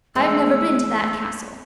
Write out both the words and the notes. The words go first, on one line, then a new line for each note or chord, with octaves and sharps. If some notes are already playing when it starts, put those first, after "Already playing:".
"I have never been to that castle."
E2 G#3 A3 E6